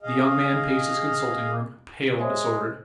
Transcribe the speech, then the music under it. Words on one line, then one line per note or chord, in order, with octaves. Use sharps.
The young man paced his consulting-room, pale and disordered.
G#4 D#5 F5
G#3 C5 C#5 E5